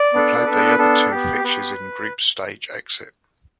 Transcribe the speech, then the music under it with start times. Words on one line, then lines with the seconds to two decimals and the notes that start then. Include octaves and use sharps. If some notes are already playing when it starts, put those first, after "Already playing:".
He played the other two fixtures in a group stage exit.
Already playing: D5
0.13 B3 D4 A4
0.46 B3 D4 A4 B4
0.57 B4
0.68 B4
0.78 B3 D4 A4
1.11 B3 G4
1.44 B3 G4 B4